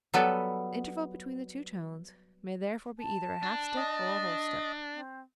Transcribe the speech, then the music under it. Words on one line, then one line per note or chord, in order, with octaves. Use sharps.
The interval between the two tones may therefore be either a half-step or a whole-step.
F#3 G3 B3 A4 B4
A5
D4
D#5
C4